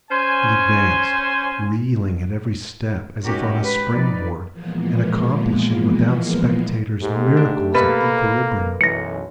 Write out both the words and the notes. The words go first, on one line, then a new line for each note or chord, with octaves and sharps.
He advanced, reeling at every step, as if on a spring board, and accomplishing, without spectators, miracles of equilibrium.
C#4 C5 G#5
G#3 C#4 D#4 F#4 G4 A#4
G4 B4
F3 D#4 B4 D5
A#2 E3 F3 G#3 A#3 B3
G#2 A3 G4
D4
B2 A#3 A4 B4
B1 F#2 E3 A#6 C#7